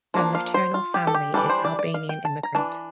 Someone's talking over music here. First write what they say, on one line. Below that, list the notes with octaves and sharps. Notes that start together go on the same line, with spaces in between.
Her maternal family is Albanian immigrant.
F3 A#3 D4
F5
C5
F4
G4
A4
G4
E3 G3 D4 A4
C5
D5
D5
F5
G5
A5
A#5
E3 A#3 D4 A5